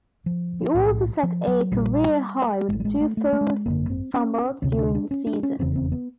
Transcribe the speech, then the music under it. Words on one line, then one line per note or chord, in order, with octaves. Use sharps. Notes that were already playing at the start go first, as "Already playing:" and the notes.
He also set a career-high with two forced fumbles during the season.
F3
B1 A2
F3
F#3
A#1 A#2 G3
A1 A2 G#3
G3
G#3
A3
A3
A3
G#3
G#1 F#2 D3 A#3
C4
C#4
D2 C3 C#4
D4
D4
C#4
D4
C#4
F1 E2 C#3 C4
C4
B3